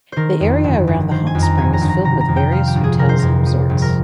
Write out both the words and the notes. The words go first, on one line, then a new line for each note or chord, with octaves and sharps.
The area around the hot spring is filled with various hotels and resorts.
D#3 A#4 C5
F2
G1
G1
D#3 C5
G#5
F2
A#5
G1 G#5
A#5
G1
A#5
C3 A#5
A#5
F2
G5
F3 F5
G4
G1
G#4
C3 A#4
C5
F2 A#4
F3
G1
A#4